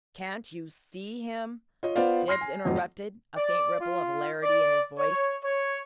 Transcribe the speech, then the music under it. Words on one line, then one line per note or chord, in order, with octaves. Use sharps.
"Can't you SEE him?" Bibbs interrupted, a faint ripple of hilarity in his voice.
F4 C#5 D#5
B3 F4 C5 D5 F5
C6 F6 A#6 C7
G#5
F2 A2 F#3
D5
F4
D5
C#5
C#5